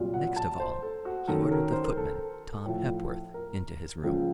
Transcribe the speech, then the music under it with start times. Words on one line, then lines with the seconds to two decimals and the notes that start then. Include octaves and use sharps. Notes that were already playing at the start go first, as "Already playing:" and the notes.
Next of all, he ordered the footman, Tom Hepworth, into his room.
Already playing: C2 A#2 F#3
0.14 F#5
0.36 A5
0.60 C5
0.83 A4
1.05 F#4
1.28 F#2 D#3 F#3 A4
1.51 A#4
1.72 C5
1.85 A#4
1.97 A4
2.66 A2 F3
3.34 A#4
4.04 C#2 C#3 F3